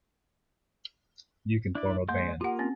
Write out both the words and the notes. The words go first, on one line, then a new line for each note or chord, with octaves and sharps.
You can form a band.
D4 E4 D5
G#3 A#3 C6 G6
A#3 F4 G4 F#5
C4 C#4